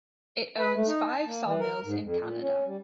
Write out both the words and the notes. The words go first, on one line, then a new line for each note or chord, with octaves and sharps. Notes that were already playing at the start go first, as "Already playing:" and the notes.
It owns five sawmills in Canada.
B4
A3
D#4
A5
A#3
E3
A#4
G#2
F2
A#2
C#4
G3